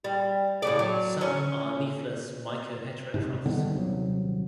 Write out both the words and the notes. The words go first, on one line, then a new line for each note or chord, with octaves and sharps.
Some are leafless myco-heterotrophs.
G3
A2 C#3 D5
F#3
C#4
G#2 C3
D3 D#3 G3 B3
D#1 C3 F#3